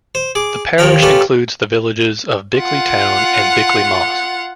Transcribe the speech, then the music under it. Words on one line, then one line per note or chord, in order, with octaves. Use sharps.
The parish includes the villages of Bickley Town and Bickley Moss.
C5
G#4 D6
D#2 F3 A#4 C#5 G5 A#5
C#4 F4 G4 A4 B4
F4 F#5